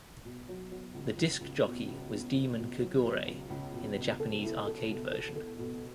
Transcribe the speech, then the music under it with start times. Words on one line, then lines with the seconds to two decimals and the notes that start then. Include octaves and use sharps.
The Disk Jockey was Demon Kogure in the Japanese arcade version.
0.25 B2
0.48 F#3
0.71 F#3
0.94 C#2
1.18 C#2
1.41 C#2
1.64 B2
1.88 C#2
2.11 B2
2.34 C#2
2.57 B2
2.81 F#3
3.04 F#3
3.27 C#2
3.50 C#2
3.73 B2
3.97 B2
4.20 A4
4.43 E4
4.67 A4
4.89 B2
5.13 A4
5.36 A4
5.59 B2